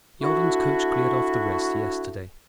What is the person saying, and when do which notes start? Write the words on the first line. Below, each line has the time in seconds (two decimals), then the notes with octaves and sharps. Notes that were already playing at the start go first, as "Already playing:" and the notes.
Yalden's coach cleared off the rest yesterday.
0.22 F#3 A3 D4 E4 F#4